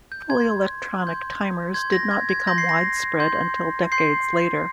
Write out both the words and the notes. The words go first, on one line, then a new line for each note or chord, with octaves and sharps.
Fully electronic timers did not become widespread until decades later.
G6
C6 G6 G#6
C6 G6
C6 G6 G#6
A#6
G#6
G#6
C6 G6 A#6
C7
A#6
C6 G6
C6 G6 C7